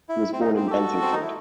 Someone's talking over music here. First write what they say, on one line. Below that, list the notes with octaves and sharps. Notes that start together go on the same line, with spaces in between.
He was born in Buntingford.
E4
C4
D#4
C4
G4
F#4 A4
C4
D#4
E4